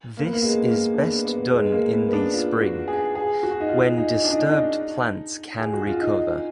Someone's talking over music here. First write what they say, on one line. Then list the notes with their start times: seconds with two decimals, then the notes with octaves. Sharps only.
This is best done in the spring, when disturbed plants can recover.
0.17 A#3
0.25 B3
0.33 A#3
0.44 G#3
0.71 A#3
0.94 D4
0.98 B3
1.25 B3
1.52 G#3
1.72 A#3
1.93 B3
2.09 B3
2.13 D4
2.34 F4
2.61 F#4
2.88 G#4
3.15 G#4
3.43 F#4
3.60 D#4
3.69 F4
3.97 D#4
4.24 D4
4.32 D#4
4.39 D4
4.51 D#4
5.60 G#4
5.73 F#4
5.87 F4
6.01 D#4